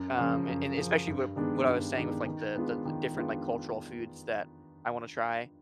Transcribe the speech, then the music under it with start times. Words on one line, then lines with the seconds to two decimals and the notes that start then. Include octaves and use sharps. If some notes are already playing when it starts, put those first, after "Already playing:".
um, and and especially wi w what I was saying with, like, the the li different, like, cultural foods that I wanna try.
Already playing: F#2
0.17 C#3 F3
0.48 F#2
0.77 C#3 F3
1.07 G2
1.36 D#3 G#3 B3 D4
1.66 G2
1.96 D#3 G#3 B3 D4
2.26 D#3
2.55 G#3 B3 D4 F4
2.85 D#3
3.14 G#3 B3 D4 F4